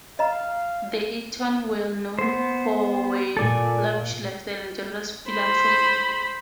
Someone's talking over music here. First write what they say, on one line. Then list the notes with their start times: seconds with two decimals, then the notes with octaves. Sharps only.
The Eatons were well-known for their lavish lifestyle and generous philanthropy.
0.19 D#5 F5 A#5
2.19 B3 C5
3.37 A#2 A4 D5 G#5
5.30 C5 B5